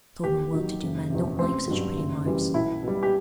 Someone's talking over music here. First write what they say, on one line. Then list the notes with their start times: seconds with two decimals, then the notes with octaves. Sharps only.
Sober well-to-do men don't like such pretty wives.
0.24 D#2 G4
0.53 D#3 F#3
0.82 F#1
1.10 E2 C3
1.39 A1 C4
1.68 G2 F#3
1.96 F#1
2.25 F#2 E3 G3
2.54 B1 E4
2.83 B2 G3
3.03 G4